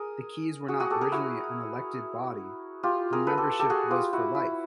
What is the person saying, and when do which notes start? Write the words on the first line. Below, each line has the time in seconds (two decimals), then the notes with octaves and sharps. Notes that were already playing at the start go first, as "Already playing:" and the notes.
The Keys were not originally an elected body, and membership was for life.
Already playing: G#4 A#4
0.68 F#4 G#4
0.80 F#4 G#4
0.90 G4 A4
1.01 G#4 A#4
1.12 E4 F#4
2.83 F4 G4
3.13 G#4 A#4
3.27 A4 B4
3.37 G4 A4
3.59 G4 A4
3.70 F#4 G#4
3.90 F4 G4
4.13 E4 F#4
4.35 E4